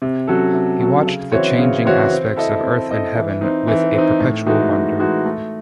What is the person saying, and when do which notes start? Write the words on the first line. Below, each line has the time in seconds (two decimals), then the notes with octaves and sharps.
He watched the changing aspects of earth and heaven with a perpetual wonder.
0.02 C3
0.27 F#3 C#4 F#4 A4
0.54 C3
0.80 F#3 C#4 F#4 A4
1.06 C#3
1.32 E3 C4 F#4 C#5
1.59 C#3
1.85 E3 C4 F#4 C#5
2.10 C4
2.37 E4 A4 D#5
2.63 C4
2.89 E4 A4 D#5
3.15 E3
3.41 C4 D#4
3.68 E3
3.94 C4 D#4
4.20 A2
4.46 E3 G#3 D#4 F#4
4.72 A2
4.99 E3 G#3 D#4 F#4
5.25 A3